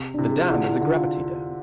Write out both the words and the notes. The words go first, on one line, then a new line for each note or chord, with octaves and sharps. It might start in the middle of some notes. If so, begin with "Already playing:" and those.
The dam is a gravity dam.
Already playing: C3
D4
C3 E4
G#4
F4
D3 E4
E4
D3
F4